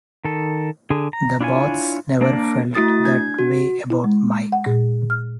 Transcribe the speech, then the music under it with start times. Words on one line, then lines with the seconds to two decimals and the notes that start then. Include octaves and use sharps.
The bots never felt that way about Mike.
0.25 D#3 A4
0.90 D3 G#4
1.13 A#5
1.41 D4 E4 F4 C#5 G#5
2.21 A#3 D4 A#4 D5
2.75 A3 E4 F#4 D#6 A6
3.04 D4 G#6
3.38 F#4
3.90 E4
4.04 G#3
4.52 F#5
4.66 A#2
5.10 F6